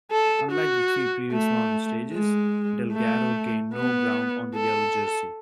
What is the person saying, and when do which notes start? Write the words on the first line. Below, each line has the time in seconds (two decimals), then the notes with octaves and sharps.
Unlike the three previous mountain stages, Delgado gained no ground on the yellow jersey.
0.11 A4
0.52 F#4
1.32 A3
2.13 G#3
2.93 A3
3.74 B3
4.55 A4